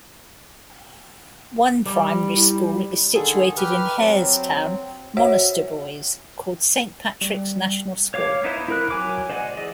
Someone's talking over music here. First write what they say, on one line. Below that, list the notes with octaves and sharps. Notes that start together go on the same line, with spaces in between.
One primary school is situated in Harestown, Monasterboice called Saint Patrick's National School.
G3 D6
E4
D3 D#3 G#4 A4
G4 B4 F6
F#3 C4
F#4 C5 C#5 E5 F#5
G3
C#5 F5 D6
B3 D#4 E4 C5
E4 A#4 F#6
F#3 G#5 D6
C5 D5 D#5 F#5 G#5
E3 G#4 D5 D#5